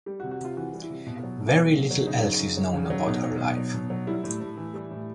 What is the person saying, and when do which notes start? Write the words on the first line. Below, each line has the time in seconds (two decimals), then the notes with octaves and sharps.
Very little else is known about her life.
0.06 G3 G4
0.20 F#4
0.24 C3
0.31 F#4
0.40 C3 F4
0.57 E3 F#4
0.74 G3
0.82 E4
0.90 C3
1.07 B2
1.23 F#3
1.40 B2
1.57 F#3
1.74 B2
1.91 F#3
2.07 C#3 D#4
2.24 F#3
2.40 C#3
2.57 F#3
2.74 C#3
2.90 F#3
3.07 B2 D#4
3.23 F#3
3.41 B2
3.57 F#3
3.74 B2
3.90 F#3
4.07 G3 E4
4.24 A2
4.40 A2
4.57 E3
4.74 G3
4.91 A2